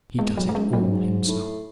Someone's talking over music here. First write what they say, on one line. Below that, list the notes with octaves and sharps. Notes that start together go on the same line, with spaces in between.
He does it all himself.
E2 G#3
F#3
A3
F#2 G#3
G#2
F#3
F#2
G#2
A2